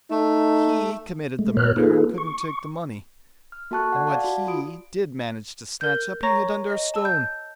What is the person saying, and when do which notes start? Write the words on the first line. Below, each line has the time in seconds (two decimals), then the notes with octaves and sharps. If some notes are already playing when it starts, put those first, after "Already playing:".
He committed the murder and couldn't take the money, and what he did manage to snatch up he hid under a stone.
0.11 A3 D#4
1.39 G#3 A3
1.57 A#2 A#4 C#5 F6 F#6
1.76 A#3 D#4 F4 G#4 A4 B4
2.18 C#6
3.52 F6
3.71 A#3 F#4 A4 A5 C#6 F#6
3.92 D5 F#5
4.07 D5 F5 F#5 A5
4.24 F#4
4.47 F4 F#4 D#6 D7
5.81 A#4 G6
6.23 C#5 A#5 C#6 A#6
6.70 D#5
6.94 A5 E6
7.05 G6